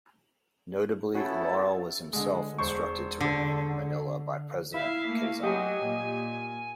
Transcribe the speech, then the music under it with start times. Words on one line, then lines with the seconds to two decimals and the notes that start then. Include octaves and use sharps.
Notably, Laurel was himself instructed to remain in Manila by President Quezon.
1.14 A3 B3 C#4 E4 F#4 A4
2.13 D3 G#3
2.58 E1 C5 C#6
3.20 D3
4.74 E4 E5 F5
5.08 A3 A#3
5.43 F#3 G4 D#5 G#5
5.83 A#2